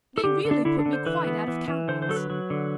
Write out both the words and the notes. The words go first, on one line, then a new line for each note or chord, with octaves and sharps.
They really put me quite out of countenance.
A4
D3 G4
D3
D4
D3 E4
D4
D3
C5
E3 B4
B3
E3
E3
D3 C5
C5
F#3 A4
B4
F#3
D3